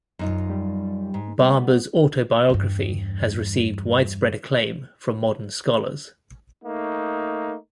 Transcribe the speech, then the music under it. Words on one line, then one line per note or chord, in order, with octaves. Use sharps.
Babur's autobiography has received widespread acclaim from modern scholars.
F#2 D#4 F4
G3
G#2
G3 B3
E2 G2
A3 A#3 D#4